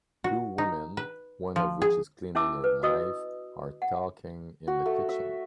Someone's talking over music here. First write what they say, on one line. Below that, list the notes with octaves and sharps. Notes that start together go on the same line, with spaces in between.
Two woman, one of which is cleaning her knife, are talking in the kitchen.
F#4
D#4
B4
F3
G#4
C#4 E4 E5 A5 D6 E6
B4
F#4 D#5 D#6 E6
F#5
F#4
A3
E5